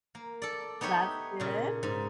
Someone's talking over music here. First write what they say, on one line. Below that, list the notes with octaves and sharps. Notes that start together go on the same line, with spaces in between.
That's good.
A#3
A4 D5
B3 D#4 G4 C#5 E5
A#2 C#3
G#2